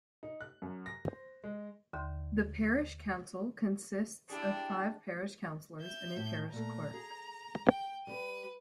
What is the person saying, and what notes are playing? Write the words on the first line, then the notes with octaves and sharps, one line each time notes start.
The parish council consists of five parish councillors and a parish clerk.
D#4
F#6
F#2
A#6
C5
G#3
D#2 D3 E5 C6 G6
D4 E4 G4 G#4
E5 G6
A2
A#2 A3 A#5
G#4
G5
G3 G4 B4 G5 D#7